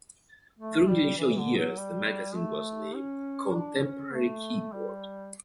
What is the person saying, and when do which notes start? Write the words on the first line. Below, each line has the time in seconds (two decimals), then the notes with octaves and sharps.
During the initial years the magazine was named "Contemporary Keyboard".
0.59 A3
0.88 G3
1.18 E3
1.37 D3
1.56 F#3
1.77 G3
2.36 A3
2.95 C#4
3.54 D4
3.84 C#4
4.13 A3
4.72 G3